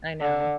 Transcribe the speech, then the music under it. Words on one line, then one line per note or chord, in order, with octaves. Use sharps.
I know.
D3